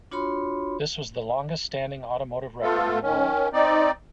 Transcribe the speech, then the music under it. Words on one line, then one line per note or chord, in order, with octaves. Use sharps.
This was the longest standing automotive record in the world.
D4 F4 F#4 C#5 B5 C6
A3 B3 F4 A4
D#3 C#4
C4 D#4 D5